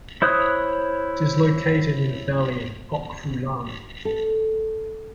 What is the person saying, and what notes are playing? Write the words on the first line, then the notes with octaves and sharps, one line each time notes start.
It is located in a valley in Pok Fu Lam.
E4 C5 C#5 D#6 F#6
A4